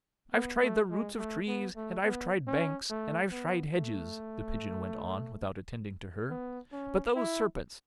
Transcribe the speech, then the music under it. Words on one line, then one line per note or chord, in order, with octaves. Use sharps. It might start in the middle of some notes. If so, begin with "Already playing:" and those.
'I've tried the roots of trees, and I've tried banks, and I've tried hedges,' the Pigeon went on, without attending to her; 'but those serpents!
B3
A3
G#3
A3
B3
A3
B3
C#4
A3
B3
A3
B3
C#4
E4